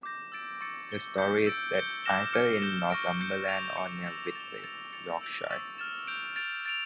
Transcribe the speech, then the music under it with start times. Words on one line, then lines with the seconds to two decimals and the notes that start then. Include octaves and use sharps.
The story is set either in Northumberland or near Whitby, Yorkshire.
0.03 D6 G6 A#6
0.32 E6 A6 D7
0.61 C#6 E6 A6 C#7
0.89 A6 C#7 G7
1.18 G6 C#7 G7
1.46 E6 A6 D7
1.75 G6 C#7 G7
2.04 D6 F6 A#6 E7 G7
2.33 D6 F6 C#7
2.62 D6 G6 A#6 E7 G7
2.90 C#6 F6 A#6 D7
3.20 D6 G6 C#7 G7
3.49 D6 F6 A6 D7 F7
3.77 D6 G6 C#7
4.06 C#6 E6 A6
4.35 A6 E7 G7
4.64 A6 C#7 F7
4.93 A6 C#7 F7
5.21 E6 G6 D7 F7
5.50 C#6 E6 A6
5.78 F6 A6 E7
6.07 G6 D7 F7
6.36 A6 D7 F7
6.66 A6 D7 F7